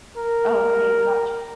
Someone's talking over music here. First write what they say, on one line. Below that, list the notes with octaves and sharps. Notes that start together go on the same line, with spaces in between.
Okay, gotcha.
A#4